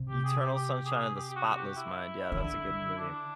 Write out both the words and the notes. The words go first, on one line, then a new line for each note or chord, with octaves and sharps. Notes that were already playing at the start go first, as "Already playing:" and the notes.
Eternal Sunshine of the Spotless Mind, yeah, that's a good movie.
Already playing: C3
G4
G#4
G4
G4
G#4
G4
G4
F#4
G4
E4
D#3
D3
D4